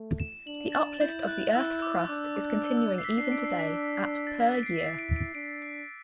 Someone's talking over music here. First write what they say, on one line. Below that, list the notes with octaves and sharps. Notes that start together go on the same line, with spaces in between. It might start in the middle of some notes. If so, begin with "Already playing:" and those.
The uplift of the Earth's crust is continuing even today, at per year.
Already playing: A3
E7
D4 F#7
A6
E4 G6
F#6
E4 E6
D6
D4 D6
D6
E6
E6
C7
B6
D4 C7
D7
C7
B6
A6
B6
B6
D7
C7
E4 C7
D7
D7
D4 D7
C7